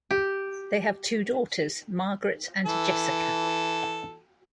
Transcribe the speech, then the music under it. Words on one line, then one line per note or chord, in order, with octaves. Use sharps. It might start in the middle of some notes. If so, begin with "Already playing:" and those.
They have two daughters, Margaret and Jessica.
G4
E3 A4